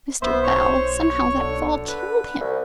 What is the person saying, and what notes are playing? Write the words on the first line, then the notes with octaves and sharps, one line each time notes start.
Mr. Bell, somehow that fall killed him!'
B1 B3 C5 E5
C#5 C#6
D3
B4
C2